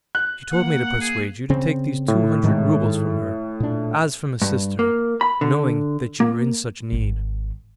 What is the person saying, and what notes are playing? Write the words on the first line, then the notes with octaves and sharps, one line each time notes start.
She told me to persuade you to take these two hundred roubles from her, as from a sister, knowing that you are in such need.
F#6
A#3 F#5
G#4
C#3 C4
A2
G#2 D#3 G#3
A#2 D4
G2
A#3
B5
D3
A#3
G#1 D#3